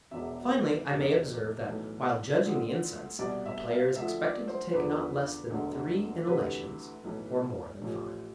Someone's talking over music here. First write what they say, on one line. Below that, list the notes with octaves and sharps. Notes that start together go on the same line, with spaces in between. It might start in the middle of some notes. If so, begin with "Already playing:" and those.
Finally I may observe that, while judging the incense, a player is expected to take not less than three inhalations, or more than five.
E1 E2 B2 E5
F1 E2 C3
B1 A2 E3
D2 D3 F3
C2 B2 D5
E5
F5
D2 D3 F3 E5
D5
C5
E2 D3 F3 B4
E1 D2 D3
D2 C3 E3 B4
B1 A2 E3
A1 A2 F3